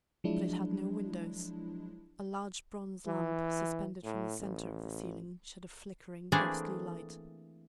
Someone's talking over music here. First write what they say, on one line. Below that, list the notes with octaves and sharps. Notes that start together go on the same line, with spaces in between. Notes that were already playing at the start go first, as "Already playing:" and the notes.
But it had no windows--a large bronze lamp, suspended from the centre of the ceiling, shed a flickering, ghostly light.
F3 F#3 G#3 D4 E4
E3
A2
A1
E3 A3 A#3 C4 D4 G#4